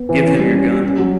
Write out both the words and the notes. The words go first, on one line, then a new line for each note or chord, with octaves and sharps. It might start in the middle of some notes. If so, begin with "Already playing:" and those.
Give him your gun.
Already playing: B3
E3
C#4
G3
C#4
G4
C#4
F#3